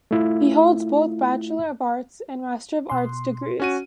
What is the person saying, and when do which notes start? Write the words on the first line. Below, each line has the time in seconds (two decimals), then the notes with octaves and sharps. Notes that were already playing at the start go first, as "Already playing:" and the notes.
He holds both Bachelor of Arts and Master of Arts degrees.
0.11 A3 E4 F4
2.89 B2 C6
3.60 C#4 F#4 D#7